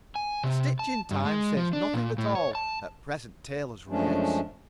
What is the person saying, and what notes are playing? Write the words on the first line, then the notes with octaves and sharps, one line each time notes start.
"A stitch in time saves nothing at all at present tailors' rates."
G#5
C3
A5
G2
G#3
F3
D4
A#2
A2
C#5
A5
F#2 F3 G#3 A3 C#4 D4